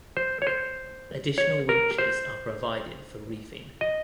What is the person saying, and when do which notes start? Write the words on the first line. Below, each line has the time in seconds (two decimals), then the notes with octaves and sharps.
Additional winches are provided for reefing.
0.17 C5
0.42 C#5
0.47 C5
1.38 C#5
1.69 A#4
1.98 C5
3.81 D#5